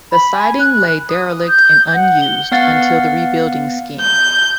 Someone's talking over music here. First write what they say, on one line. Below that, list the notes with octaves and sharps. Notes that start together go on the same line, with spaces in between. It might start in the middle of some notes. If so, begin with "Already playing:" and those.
The siding lay derelict and unused until the rebuilding scheme.
B5
G#5
F#6
D#6
G6
F#5
G7
B3 F5 F#5 A6
G6